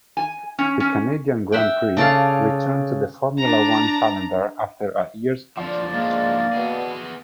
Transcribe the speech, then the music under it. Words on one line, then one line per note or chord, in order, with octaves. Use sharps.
The Canadian Grand Prix returned to the Formula One calendar after a year's absence.
G#5
C#4
C#4
E5 F#5 G5
C#3 A4 D5 F5
D4 A#5
D3 F3 D5
G#2 F3 G#3 A#3 D4
B2 B3 G#4